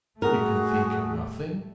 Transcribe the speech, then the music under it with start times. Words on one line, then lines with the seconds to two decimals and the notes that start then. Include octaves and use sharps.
You can think of nothing?
0.22 A2 G3 A3 F#4 G#4 A#4